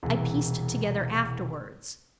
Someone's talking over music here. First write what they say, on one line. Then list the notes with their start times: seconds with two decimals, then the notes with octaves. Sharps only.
I pieced it together afterwards.
0.03 E1 C2 E3